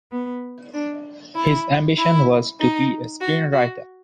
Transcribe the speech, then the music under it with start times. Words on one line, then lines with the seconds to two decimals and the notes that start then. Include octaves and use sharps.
His ambition was to be a screenwriter.
0.11 B3
0.73 D4
1.35 E4
1.98 E4
2.60 D#4
3.21 F#4
3.52 F#4